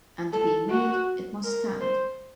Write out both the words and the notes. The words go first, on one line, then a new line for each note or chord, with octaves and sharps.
And being made, it must stand.
A4
F#4
A#4
C5